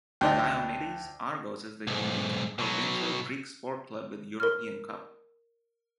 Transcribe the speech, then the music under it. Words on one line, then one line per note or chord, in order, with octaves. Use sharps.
Diomidis Argos is the unique provincial Greek sport club with European cup.
D2 D4 D#4 G5
B1 G#2
B2 F#3
A#4 F6